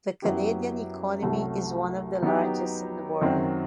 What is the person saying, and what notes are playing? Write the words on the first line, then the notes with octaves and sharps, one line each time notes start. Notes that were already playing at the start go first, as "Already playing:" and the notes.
The Canadian economy is one of the largest in the world.
F#2 F#3 B3 E4 G4
C2 C3 F#3 A3
F#3 B3 D#4 G4
F#2 D#3 F#3 C4